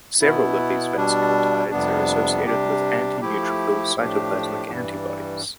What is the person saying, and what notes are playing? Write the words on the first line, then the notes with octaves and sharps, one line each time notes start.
Several of these vasculitides are associated with antineutrophil cytoplasmic antibodies.
B2 B3 E4
B2 G3 D4
F2 C3 G3 B3 D4
C3 G3 D4 G4
F3 A3 E4 G4
A2 F3 A3 D4 G4
G2 E3 G3